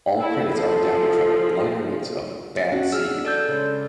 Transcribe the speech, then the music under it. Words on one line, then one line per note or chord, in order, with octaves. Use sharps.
All credits are adapted from liner notes of "Bad Seed".
E4 A4
F3 G#4 A4
C#4 D4 F#4
G#4 E6 F6
D4
A4 D5 G6
C#3 G#3